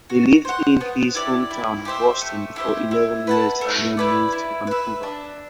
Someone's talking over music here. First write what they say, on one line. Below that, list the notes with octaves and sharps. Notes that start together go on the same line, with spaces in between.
They lived in his hometown, Boston, for eleven years and then moved to Vancouver.
F#4
C5 F#5
B3
E4 G4 D5
E4
G4 C5 E5
A3
E4 G4 C5
E4
B4 F#5 A5
A3
E4 B4 D5
E4
B4 E5
D4